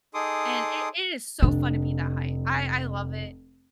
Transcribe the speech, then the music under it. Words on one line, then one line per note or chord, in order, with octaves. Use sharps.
and it it is so fun to be that height, I I love it.
D#4 G#4 A4 C6 D6 D#6
F1 D4